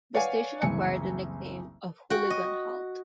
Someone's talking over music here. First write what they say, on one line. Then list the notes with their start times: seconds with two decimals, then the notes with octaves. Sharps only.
The station acquired the nickname of "Hooligan Halt".
0.14 B4 C#5 D5 F5 F#5 G#5
0.62 F#1 C2 E3 G#5 C#7
2.10 F#4 G5
2.30 D#5